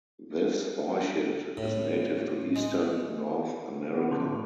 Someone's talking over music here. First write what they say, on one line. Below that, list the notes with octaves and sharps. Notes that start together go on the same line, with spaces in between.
This orchid is native to eastern North America.
A2
G#3
B3
D3 F3 C#4 A5
A2